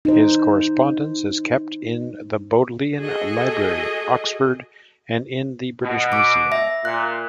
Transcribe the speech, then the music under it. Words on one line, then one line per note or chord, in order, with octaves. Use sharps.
His correspondence is kept in the Bodleian Library, Oxford and in the British Museum.
D#4 C5
F#4 G#4 A4 D#5
B2
D6 D7
E5 A#6
A#2 F#6